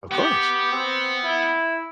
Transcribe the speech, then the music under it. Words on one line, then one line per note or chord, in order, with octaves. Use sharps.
Of course.
B3 G4
C4
E4